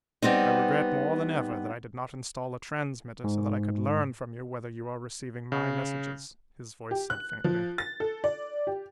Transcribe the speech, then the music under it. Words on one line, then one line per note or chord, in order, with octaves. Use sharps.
"I regret more than ever that I did not install a transmitter so that I could learn from you whether you are receiving my messages," his voice said faintly.
G3 B3 C4 D#4
G#2
C#3
G4
F#6
F3
A6
A4
D5
G4